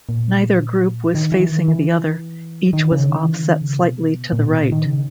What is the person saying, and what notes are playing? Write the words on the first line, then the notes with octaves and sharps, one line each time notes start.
Neither group was facing the other; each was offset slightly to the right.
A#2
D#3
E3
D#3
E3
D#3
C#3
D#3
E3
D#3
C#3
B2
A#2
B2
A#2
D#3
C#3